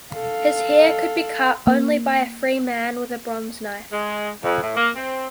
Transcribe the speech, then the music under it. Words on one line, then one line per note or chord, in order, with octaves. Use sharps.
His hair could be cut only by a free man with a bronze knife.
A4 F5
A#3
G#3
F2
A2
A#3
C4